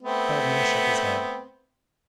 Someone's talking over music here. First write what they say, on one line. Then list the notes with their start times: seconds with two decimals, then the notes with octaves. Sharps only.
Feldman shook his head.
0.03 A3 B3 C4